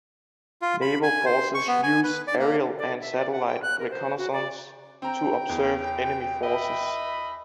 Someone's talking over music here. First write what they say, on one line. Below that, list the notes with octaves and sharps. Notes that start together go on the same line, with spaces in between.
Naval forces use aerial and satellite reconnaissance to observe enemy forces.
F4
B5
G#5
C5
C#6
B3
G#5
B4
D5
A#3
D5
E5
D5
F#5
G5
F#6
A#4
C5
F#4
D5
C4 G5 A#5
E2
D#5 E5 B5